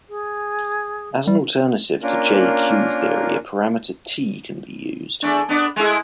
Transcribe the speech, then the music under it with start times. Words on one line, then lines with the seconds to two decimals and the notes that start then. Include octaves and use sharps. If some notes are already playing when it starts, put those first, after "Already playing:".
As an alternative to J-Q theory, a parameter T can be used.
0.09 G#4
1.27 G3
2.03 A#3 C#4 D4 F4 A#4
5.22 E2 A3 D4
5.49 B3 D4
5.76 G#3 A3 E4